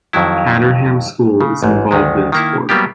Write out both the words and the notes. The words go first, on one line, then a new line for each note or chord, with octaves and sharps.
Caterham School is involved in sport.
F2 D#3 F#3 E4
C#3
A1 G#2
D2 D#3 G#3
D#3 A#3 E4
F#3 G3 A#3 B3 G4